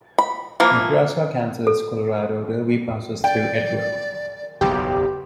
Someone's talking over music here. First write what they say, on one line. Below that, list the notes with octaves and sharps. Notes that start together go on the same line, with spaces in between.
Nebraska Kansas Colorado Railway passes through Atwood.
B5
E3 F3 A#3
A4
D5 G5
F#1 B1 E2 G4